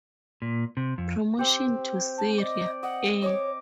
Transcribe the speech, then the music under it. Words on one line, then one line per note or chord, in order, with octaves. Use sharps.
Promotion to Seria A.
A#2
C3
F2
C4 G4
A5
D5 D#5
D#5 F#5
C#5 D#5 D6